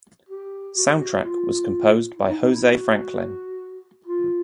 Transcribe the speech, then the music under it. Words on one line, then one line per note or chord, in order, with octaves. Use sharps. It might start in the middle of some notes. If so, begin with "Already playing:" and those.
Soundtrack was composed by Jose Franklin.
G4
F#4
G4
F#4
F4
E4
D#4
D#4
E4
F#4
F4